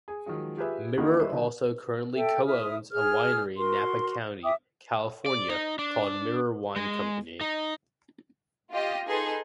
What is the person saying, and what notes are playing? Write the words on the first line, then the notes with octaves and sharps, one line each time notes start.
Mirer also currently co-owns a winery in Napa County, California called Mirror Wine Company.
G#4
D#3 F3 F#3 G#3
F4 G4 G#4 B4 E5
D#3 A#3 C#4 D#4 E4 F#4
G3 E4 B4 C5 D#5 E5
D3 F#3 D#4
A4 E5 G5
E4 E5 D#6 F6
G#4 F6
F#4 A#4 C6
E5 G5 D6 D#6
D5
D#4
D4
G#3
D#4
F4 G4 D#5
D#4 G#4 A4 B4 C6